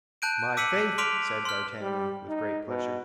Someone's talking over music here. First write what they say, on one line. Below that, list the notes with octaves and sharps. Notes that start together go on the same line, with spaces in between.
"My faith!" said d'Artagnan, with great pleasure.
A5 F#6 G6 D7 D#7
D6 E6 B6 C#7 D#7 F#7
C6 D6 F6 B6 D7 F7
C6 F6
G3
D#4
B2